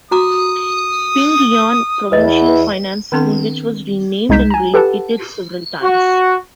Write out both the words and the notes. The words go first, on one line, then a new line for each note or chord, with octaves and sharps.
PingYuan Provincial Finance School, which was renamed and relocated several times.
F#4 A#5 D6 D#6
E2 E4 B4 D#5
D#3 B3 C4 D4 A4 C6
C2 G#3 D#4 G6 B6 E7
G#5 A#5
G4 A4 B4 F#5 A5
F#4